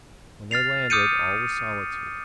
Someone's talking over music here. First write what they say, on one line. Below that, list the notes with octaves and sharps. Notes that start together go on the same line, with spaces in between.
When they landed, all was solitude.
F6 A6 C7 F7
D6 D#6 F6 G6 C#7 D#7